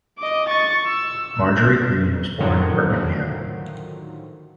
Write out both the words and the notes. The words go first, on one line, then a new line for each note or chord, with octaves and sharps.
Marjorie Greene was born in Birmingham.
D#5 D6
C#6 A6
E6
A2 D3 D#3 F3 F#3